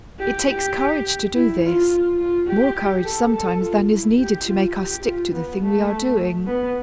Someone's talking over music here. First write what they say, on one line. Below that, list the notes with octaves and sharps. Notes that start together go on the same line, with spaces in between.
It takes courage to do this--more courage sometimes than is needed to make us stick to the thing we are doing.
G4
G4
E4
F4
F4
G4
A4
A4
F4
E4
G4
F4
G4
F4
B3
A3
B3